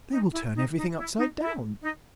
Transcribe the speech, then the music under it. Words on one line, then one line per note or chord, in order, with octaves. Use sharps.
"They will turn everything upside down."
D#4
E4
D#4
D#4
E4
D#4
E4
D#4